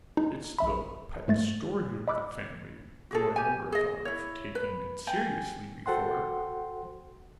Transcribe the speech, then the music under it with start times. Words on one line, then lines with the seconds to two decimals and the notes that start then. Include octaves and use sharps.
It's the pet story of the family, though I never thought of taking it seriously before.
0.17 D#4
0.59 A#1 E5 B5
1.28 G#2 A3 A6
2.08 D#5 B5 D6 E6 F#6
3.11 F#4 G#4 A4
3.36 G4 G#5
3.72 G#4 D#5
4.05 E4 C#5
4.55 B4
5.07 G5 G#5
5.86 F#4 A4 C5 F#5 G5 C6